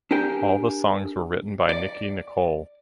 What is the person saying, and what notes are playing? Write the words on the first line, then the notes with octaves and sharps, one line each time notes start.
All the songs were written by Nicki Nicole.
D4 G4 G#4 A#4 G5
D5